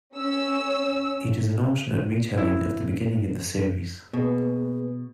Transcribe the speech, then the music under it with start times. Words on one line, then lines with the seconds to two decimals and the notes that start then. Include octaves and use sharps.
It is an alternate retelling of the beginning of the series.
0.15 C#4 E6
2.37 E4
4.13 B2 A#3 G#4 B4